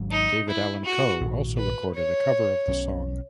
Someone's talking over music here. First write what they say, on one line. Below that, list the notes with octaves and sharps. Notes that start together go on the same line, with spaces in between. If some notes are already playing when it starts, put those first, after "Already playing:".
David Allan Coe also recorded a cover of the song.
Already playing: G#1 G#2 F#3 C#4
D#4
E4
F#4
A#1 G#2 D#3
B4
C#5
B1 B2 F#3 C#4